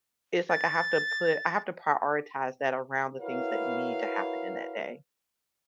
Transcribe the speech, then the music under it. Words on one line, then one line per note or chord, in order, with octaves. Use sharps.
it's like I have to put I have to prioritize that around the things that need to happen in that day.
A6
E4 F#4 A#4 B4 C#5 F5